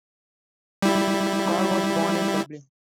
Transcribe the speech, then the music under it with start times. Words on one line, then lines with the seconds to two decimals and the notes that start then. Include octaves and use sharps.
Carr was born in Dublin.
0.82 G3 E4